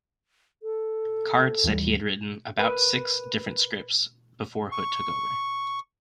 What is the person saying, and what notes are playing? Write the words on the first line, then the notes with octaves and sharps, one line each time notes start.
Card said he had written "about six" different scripts before Hood took over.
A4
D#2 E3 G3
A#4 B4 B5 F#6 D#7
C#6